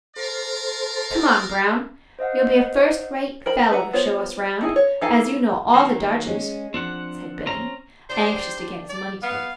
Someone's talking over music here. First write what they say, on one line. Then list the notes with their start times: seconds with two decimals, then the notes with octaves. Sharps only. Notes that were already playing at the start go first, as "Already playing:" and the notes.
"Come on, Brown; you'll be a first-rate fellow to show us round, as you know all the dodges," said Billy, anxious to get his money's worth.
0.16 A4 A#4 C5 D5 F5
2.19 C5 D#5 F5 F#5
3.46 A#4 C5 B5
3.71 B4 E5 F#5 A#5
3.93 B3 F4 C5 C#5
4.61 A3 D#4 E4 G#4 G#5
4.76 C#5
5.01 E3 D#4 A4 F5 G#5
5.74 D#3 F#3 A#3
6.27 G#3 C#4
6.74 F3 C4 D4 F#5
7.46 C4 C#4 A#5
8.10 D4 G4 C5
8.89 D5
9.22 B3 F5